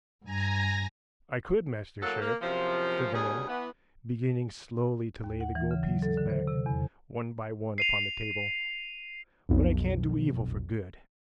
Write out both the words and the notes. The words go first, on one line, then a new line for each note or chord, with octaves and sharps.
"I could, Master Sheriff," said the man, beginning slowly to lay the gold pieces back one by one upon the table; "but I can't do evil for good."
G2 G#5 A#5 A#6
A2 F#3 A#3 A4
A#3
F#2 C3 F3
D2 B2 G3 C#4 G#4
E3 B3
D#2
F#5
E3
C#3
F#3
A4
D3
C5
C3
E2
C7 D#7 F7
B1 F2